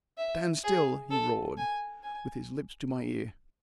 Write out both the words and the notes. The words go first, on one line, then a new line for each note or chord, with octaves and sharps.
"Stand still," he roared, with his lips to my ear.
E5
G#4
A4
G#5
G#5